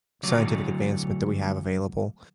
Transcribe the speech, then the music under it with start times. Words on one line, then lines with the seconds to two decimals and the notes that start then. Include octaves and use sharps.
scientific advancement that we have available
0.23 D2 D3 F#3 C#5 D5